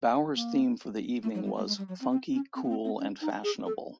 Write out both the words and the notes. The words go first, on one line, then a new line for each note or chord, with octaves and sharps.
Bowers' theme for the evening was 'funky, cool and fashionable'.
A#3
A3
F#3
G3
A3
G#3
G3
F#3
C4
C4
C#4
C4
B3
C4
C4
C#4
D#4
G#4
A4